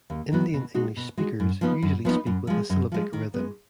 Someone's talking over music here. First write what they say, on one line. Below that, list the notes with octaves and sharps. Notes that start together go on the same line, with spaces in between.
Indian-English speakers usually speak with a syllabic rhythm.
D#2
D#3 F#3 B3 F#4
B2
G#3 D#4 F#4
B2
G#3 D#4 F#4
F#2
F3 B3 D#4
F#2
F3 B3 D#4
F#2
F3 G#3
F#2
F3 G#3
D#3
G#3 B3